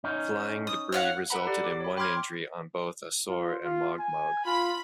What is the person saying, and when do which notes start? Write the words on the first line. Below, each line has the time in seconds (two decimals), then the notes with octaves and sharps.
Flying debris resulted in one injury on both Asor and Mogmog.
0.04 C#4 D#4
0.67 D#6
0.92 C#5 F5 F#5
1.30 A4 B4 F#5 A#5 B5
1.47 G4 D5
1.63 D6
1.80 C#5 B5
1.97 G5 B5 C6 D6 F6 G#6
3.28 F4
3.64 F4
4.00 G#5
4.46 F4 B5